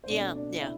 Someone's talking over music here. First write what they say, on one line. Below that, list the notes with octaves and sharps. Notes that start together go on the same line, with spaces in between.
Yeah, yeah,
C5
B2 A3 C4 D4 D5
D4 D5
E4 E5